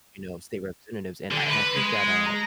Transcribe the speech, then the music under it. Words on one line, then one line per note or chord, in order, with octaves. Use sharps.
you know, state representatives and I and I think that, uh,
D3
B4
G#3
A#5